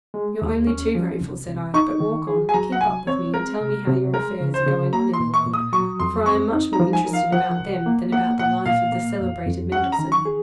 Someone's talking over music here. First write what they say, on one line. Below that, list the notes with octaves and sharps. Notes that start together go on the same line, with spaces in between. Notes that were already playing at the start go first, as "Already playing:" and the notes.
"You're only too grateful," said I; "but walk on--keep up with me, and tell me how your affairs are going on in the world, for I am much more interested about them than about the life of the celebrated Mendelssohn."
G#3
D#2
C#4
F3
C2
C2
D#4 C#6
D#3
G#4
G#5
F#3 A#5
F#5
C2 G#5
C4 C#5
G#3 A#4
C3
C3
G#3 A#4
C#3
C5
C#3
A#3 A#5
C6
A#2
C#6
A#2
D#6
F#3 C#6
F2 C6
C4 C#6
D#4
A#5
F3
G#5
A#4
F5
F3 F#5
C2
A#3
A#3 F#5
A#2 F#5
A#2 F5
A#3
F2
F2
C#4 F#5
A#5
D#3
C#6
G#4